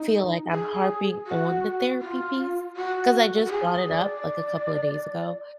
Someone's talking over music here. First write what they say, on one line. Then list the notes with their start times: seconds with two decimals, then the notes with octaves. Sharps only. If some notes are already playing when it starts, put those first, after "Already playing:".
feel like I'm harping on the therapy piece 'cause I just brought it up, like, a couple of days ago,
Already playing: D#4
0.52 G#4
1.27 F#4
2.01 F4
2.76 F#4
3.46 F#4
3.51 G#4
3.89 D5